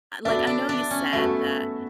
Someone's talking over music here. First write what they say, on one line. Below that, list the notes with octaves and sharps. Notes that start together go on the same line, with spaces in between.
like I know you said that
B3 D4 F#4 A4 E5
D4
D4
C#4
A3 B3 F#4 A4 E5